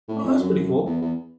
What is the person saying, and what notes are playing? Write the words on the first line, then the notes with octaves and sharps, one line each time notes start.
Oh, that's pretty cool.
A2
F2
F#2
E2
E2